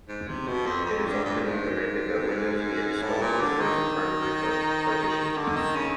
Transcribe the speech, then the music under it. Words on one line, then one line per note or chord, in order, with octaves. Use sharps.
It is often recommended that Windows be installed to the first primary partition.
G#2
C3
B2
F2
F2
G2
G2
G#2
A2
A#2
D3
D#3
D3
D#3
C#3